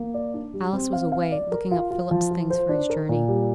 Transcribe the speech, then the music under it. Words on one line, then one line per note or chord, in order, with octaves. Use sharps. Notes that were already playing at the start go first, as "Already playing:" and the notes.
Alice was away, looking up Philip's things for his journey.
Already playing: A#3
D5
D4
G3
C4
F5
F5
D5
A#4
F4
F4
F3
F4
C5
D4
A#4
A#2
G3